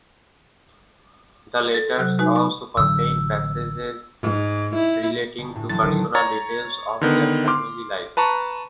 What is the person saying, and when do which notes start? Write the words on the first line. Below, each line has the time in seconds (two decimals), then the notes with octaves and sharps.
The letters also contain passages relating to personal details of their family life.
1.75 A4
1.98 C3 F#3 F#6
2.19 G#3 D#4 F#4 B4
2.36 B5 C#6
2.77 A1 D3 F#3 E6
4.22 G#2
4.75 E4
5.38 G1
5.55 A2
5.70 A1 F#3 A6
5.84 D3 D#3
6.15 C#5 A#5 A6
7.01 D3 D#3 B3
7.48 C6 D6 F6
8.17 B4 A5 A#5 C#6